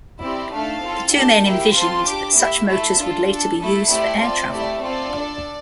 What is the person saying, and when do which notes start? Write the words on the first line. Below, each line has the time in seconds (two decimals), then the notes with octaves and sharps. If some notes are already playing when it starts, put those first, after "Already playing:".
The two men envisioned that such motors would later be used for air travel.
0.22 C4 E4 G4 D5
0.52 A3 D4 A4 F5
0.83 C4 F4 A4
1.14 A#3 D4 G4 A5
1.44 A#3 E4 G4 G5
1.75 C4 F4 A4 C6
2.06 D4 G4 D6
2.36 A#3 E4 G4 E5
2.67 A3 E4 A4 E5
2.97 D4 F4 A4
3.28 D4 A4
3.59 A3 E4 A4
3.90 A3 C4 E4 G4 D5
4.20 C4 F4 A4 D5
4.51 A3 E4 G4 D5
4.82 C4 F4 A4 D5
5.12 D4 A4